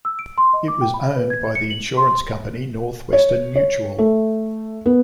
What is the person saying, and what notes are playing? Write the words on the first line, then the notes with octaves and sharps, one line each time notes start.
It was owned by the insurance company Northwestern Mutual.
E6
D7
C6
D#5
D6
G5
B5
B4
G#6
C#7
F#7
C6
C#5
C#5
A3
B3